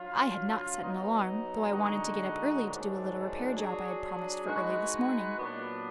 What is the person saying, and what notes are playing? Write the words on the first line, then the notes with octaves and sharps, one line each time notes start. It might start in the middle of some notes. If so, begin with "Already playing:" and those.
I had not set an alarm, though I wanted to get up early to do a little repair job I had promised for early this morning.
Already playing: F#3 D4 F4
F#3 B3 D#4
D3 G#3 D#4 F#4
G#2 D#3 F#3 D4
F#3 D4 G#4
G#3 D#4 F#4 B4
A#2 F#3 B3 D4